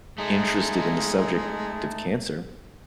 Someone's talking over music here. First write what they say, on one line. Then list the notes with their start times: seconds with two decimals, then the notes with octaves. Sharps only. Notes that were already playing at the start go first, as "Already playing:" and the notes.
interested in the subject of cancer.
0.18 G#3 A3 D#4